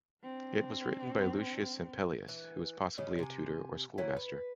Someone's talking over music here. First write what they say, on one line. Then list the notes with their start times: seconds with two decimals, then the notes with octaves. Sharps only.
It was written by Lucius Ampelius, who was possibly a tutor or schoolmaster.
0.23 C4 D4
2.29 E3
2.98 C#3 C#4 G4 D#5
3.19 C3 G#5
3.98 F#3 G3 C#4 E4
4.17 B4